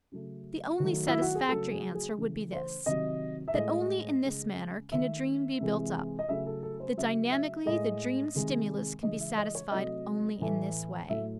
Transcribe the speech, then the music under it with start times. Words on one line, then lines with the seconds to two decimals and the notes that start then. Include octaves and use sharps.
The only satisfactory answer would be this, that only in this manner can a dream be built up, that dynamically the dream-stimulus can be satisfied only in this way.
0.12 C#3 F#3 A3
0.80 D#3 F#3 A3
1.07 E4
1.22 F#4
1.35 G#4
1.49 C#3 F#3 A3 A4
1.71 G#4
1.95 G#4
2.18 C#3 E3 A3
2.52 C5
2.86 C3 D#3 F#3 D#5
3.48 E5
3.54 A2 G#3 D#5
4.23 C#3 G#3
4.92 D#3 A3 E5
5.60 C3 E3 G#3
6.19 D#5
6.29 C#3 F#3 A3 E5
6.47 A4
6.63 A4
6.80 C5
6.97 C#3 F#3 A3 E5
7.31 E5
7.66 A2 G#3 D#5
8.35 C3 D#3 G#3
9.03 C#3 E3 G#3 D#5
9.20 E5
9.38 D#5
9.55 C#5
9.71 C3 F#3 A3 D#5
10.40 A2 E3 A3
11.09 A2 F#3 A3 E5